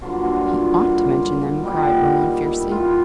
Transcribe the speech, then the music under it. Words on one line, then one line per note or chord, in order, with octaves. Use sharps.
"He ought to mention them," cried Roland fiercely.
G2 D3 F#3 A#3 F4
F4
F4
E4
F4
A#2 G3 B3 D#4
E4
F4